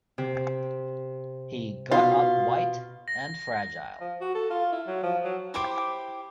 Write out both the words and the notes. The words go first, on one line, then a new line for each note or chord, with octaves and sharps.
He got up white and fragile.
C3
B2 F4
A#6
F3
F#4
A4
F4
E4
F#3
F3
F#3
E4 G4 C5 D6